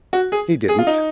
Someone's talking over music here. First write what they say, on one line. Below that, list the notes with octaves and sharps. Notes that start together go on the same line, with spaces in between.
He didn't.
F#4
G#4
G#4
F4
D#4